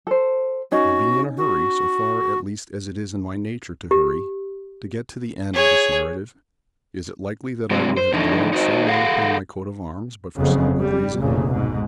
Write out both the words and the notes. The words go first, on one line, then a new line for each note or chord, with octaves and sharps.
Now being in a hurry--so far at least as it is in my nature to hurry--to get to the end of this narrative, is it likely that I would have dwelled so long upon my coat of arms, but for some good reason?
A4 C5
C#4 D#4 F#4
F#4
G4
G#4 C#5
A2 C3 F#3 G#3 C4
C5
A2 D3 E3 F3 A3 D#4
D#4 F#4 C5 D#5
G#4 A4 F5 F#5
F#1 F2 C#3 B3
G3
F1 D2 A#2 C#3
G#2 B2